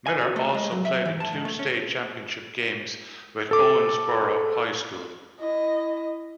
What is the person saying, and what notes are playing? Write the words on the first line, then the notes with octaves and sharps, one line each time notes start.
Miller also played in two state championship games with Owensboro High School.
G#5
F#4
A3
G#3
F#3
E5
E3
A5
G#2
A3
C#4
A4 D6
E4 D#5